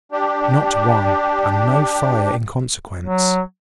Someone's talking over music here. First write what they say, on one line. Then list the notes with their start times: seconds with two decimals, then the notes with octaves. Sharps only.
"Not one, and no fire in consequence."
0.12 D4 G4
3.05 F#3